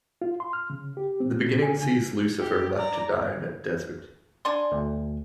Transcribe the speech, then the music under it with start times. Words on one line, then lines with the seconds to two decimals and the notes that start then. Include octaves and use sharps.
The beginning sees Lusiphur left to die in a desert.
0.22 F4
0.40 C6
0.53 F6
0.70 C#3
0.97 G4
1.20 C4
1.40 A#2
1.62 G#5
1.81 C#3
2.40 G4
2.77 D5 A#5
4.45 D4 D5 G#5 C6
4.72 D2